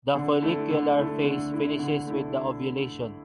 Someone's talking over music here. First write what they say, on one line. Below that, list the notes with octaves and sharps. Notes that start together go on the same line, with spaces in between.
The follicular phase finishes with the ovulation.
D3
A3 E4
D3
A3 E4
D3
A3 E4
D3
A3 E4